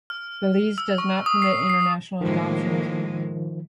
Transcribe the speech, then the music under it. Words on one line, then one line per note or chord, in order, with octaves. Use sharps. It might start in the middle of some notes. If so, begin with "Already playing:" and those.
Belize does not permit international adoptions.
F6
E6
C#6
D#6
C7
C7
A2 D#3 F3 G#3 A#3